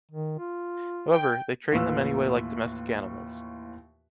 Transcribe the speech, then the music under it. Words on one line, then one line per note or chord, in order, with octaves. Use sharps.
However, they trained them anyway like domestic animals.
D#3
F4
G5 G6
D#2 A2 E3 F4 B4 E6